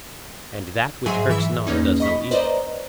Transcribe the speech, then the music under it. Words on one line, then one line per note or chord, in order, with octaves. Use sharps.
And that which hurts not does no evil?
G#2 F#3 G#4 E5 G#5 C6
E3 E5 E6
E2 A#3 C#4 D#4
D#5 B5 C#6 B6
B4 C5 D5 D#5 A#5